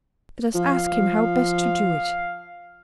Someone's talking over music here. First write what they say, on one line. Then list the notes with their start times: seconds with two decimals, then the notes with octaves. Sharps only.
Let us ask him how best to do it.'
0.55 F3 F5